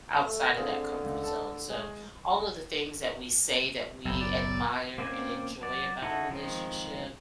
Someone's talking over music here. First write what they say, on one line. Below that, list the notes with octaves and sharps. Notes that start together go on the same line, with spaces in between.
outside of that comfort zone. So all of the things that we say that we admire and enjoy about a relationship,
A3
D3 C4 F4 G#4
C#2
A4
G#3
F#1 B1 E5 G5 B5
D5
A#3 C4 C#4 D5 G#5
F#3 D5
D#4 E4 F#4 A4
D#3 F3 G#3 C4